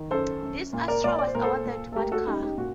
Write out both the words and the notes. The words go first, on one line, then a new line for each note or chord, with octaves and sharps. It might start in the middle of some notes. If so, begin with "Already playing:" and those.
This Astra was awarded What Car?
Already playing: D#3
F#2 A4 C5
F#2
A#2
A#4 D5
A#2 A#4 D5
D5
C5
A#2 A#4
A4 C5
A#2
A4
A3 G4 A#4
F#4 A4
F#2 D#4 G4
D#4 G4
A#2 F#4